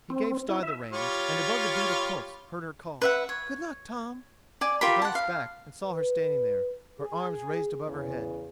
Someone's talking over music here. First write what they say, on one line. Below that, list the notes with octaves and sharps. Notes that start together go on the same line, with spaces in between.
He gave Star the reins, and above the beat of hoofs heard her call: "Good luck, Tom!" He glanced back and saw her standing there, her arms raised above her head.
C4
E4
E5
G3 F4 C#5
B4 E5 F#5
C#5
D5 G#5
F4 G4 A#4 B5
F#5 A5
F5
B4
G#4
E2 C#3